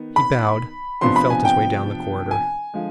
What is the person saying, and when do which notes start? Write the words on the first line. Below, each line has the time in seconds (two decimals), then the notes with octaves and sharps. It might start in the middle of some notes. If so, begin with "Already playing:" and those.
He bowed and felt his way down the corridor.
Already playing: D#3 B3 D#4
0.16 B5
1.01 C3 F3 B3 D4 C6
1.16 B5
1.30 G#5
1.45 G5
2.31 G#5
2.74 D3 F3 G#3